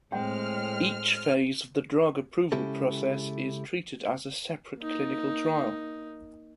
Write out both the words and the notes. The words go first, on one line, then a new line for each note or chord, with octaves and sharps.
Each phase of the drug approval process is treated as a separate clinical trial.
A2 G#3 C4 G5 F6
C#3 G#3 C#4 E4 G4 A4
A#3 D#4